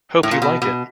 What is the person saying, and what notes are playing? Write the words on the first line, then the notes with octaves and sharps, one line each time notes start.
Hope you like it.
A2
A#2
B2
B2